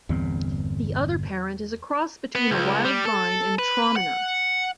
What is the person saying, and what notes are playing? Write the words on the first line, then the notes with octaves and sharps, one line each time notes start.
The other parent is a cross between a wild vine and Traminer.
G1 E2 A#2 C4
B3
C#2
G3
A4
B4
F#5